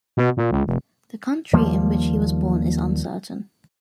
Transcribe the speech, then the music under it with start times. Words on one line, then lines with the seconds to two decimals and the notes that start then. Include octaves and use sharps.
The country in which he was born is uncertain.
0.17 B2
0.37 A#2
0.51 C#2
0.67 F1
1.53 D#2 F3 G3 A#3